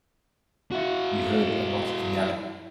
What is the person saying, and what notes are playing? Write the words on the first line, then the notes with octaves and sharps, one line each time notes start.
We heard a lot of yelling.
E4 F#4